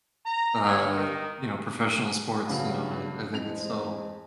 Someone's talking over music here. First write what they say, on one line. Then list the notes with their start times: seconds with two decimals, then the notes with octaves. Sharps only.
uh, you know, professional sports, you know, I I think it's so
0.25 A#5
0.65 C#5
0.95 D#3
2.48 E2 G2 C#3 F#3
3.33 F2 E3 G#3 C4 F7